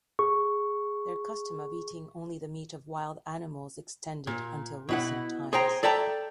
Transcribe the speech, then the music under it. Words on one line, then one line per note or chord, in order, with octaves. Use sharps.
Their custom of eating only the meat of wild animals extended until recent times.
G#4 C#6
A#2
B2 E4 F#5
G#4 C5 G5 A#5
A4 D5 E5 G5 A5 A#5